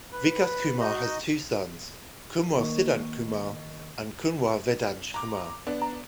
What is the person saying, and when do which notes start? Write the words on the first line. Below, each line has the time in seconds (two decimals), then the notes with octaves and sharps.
Vikas Kumar has two sons kunwar Siddhant kumar and kunwar Vedansh kumar.
0.12 B4
0.80 D#4 F#4 D#5
2.59 D#3 A#3 A#4 D#5 C#6
5.14 A#5 D6
5.67 B3 D4
5.82 A#5